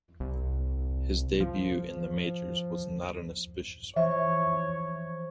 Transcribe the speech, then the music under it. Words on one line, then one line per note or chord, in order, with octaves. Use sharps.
His debut in the majors was not an auspicious one.
C2
F3
E3 F3 C5 C#5 E5